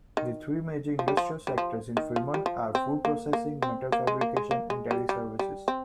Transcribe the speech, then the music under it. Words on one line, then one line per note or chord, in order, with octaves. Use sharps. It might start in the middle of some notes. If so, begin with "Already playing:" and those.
The three major industrial sectors in Fremont are food processing, metal fabrication, and teleservices.
D#3
F3
G3
F3
G3
F3
D#3
F3
G3
F3
C4
A#3
A#3
C4
A#3
G#3
A#3
G#3
A#3
G#3
G3
G3
G3
C4